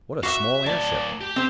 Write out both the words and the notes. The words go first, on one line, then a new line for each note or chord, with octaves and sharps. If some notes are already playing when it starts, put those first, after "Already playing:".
"What a small airship."
F#4 E5 F5
A2 D5 A5
G4
C4 C5